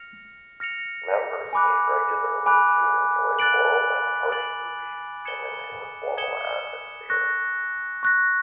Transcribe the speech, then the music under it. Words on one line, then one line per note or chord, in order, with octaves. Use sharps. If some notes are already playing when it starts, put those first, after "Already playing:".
Members meet regularly to enjoy Laurel and Hardy movies in an informal atmosphere.
Already playing: F6 A#6 C#7 F7
F6 A#6 C#7 F7
G#5 B5 D6 F#6
G#5 B5 D6 F#6
F#6 A6 D7 F#7
F#6 A6 D7 F#7
D#6 G#6 C#7 E7 G7
D#6 G#6 C#7 E7 G7
C#6 F#6 A#6
C#6 F#6 A#6